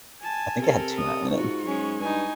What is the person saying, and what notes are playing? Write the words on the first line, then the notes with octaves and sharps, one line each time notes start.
I think it had tuna in it.
G#5 A5
C3 A4 A#4
D#6
G#2 F4 F#4 C#6
F#3 G#3 C#4
G2 D#4 E4 G#5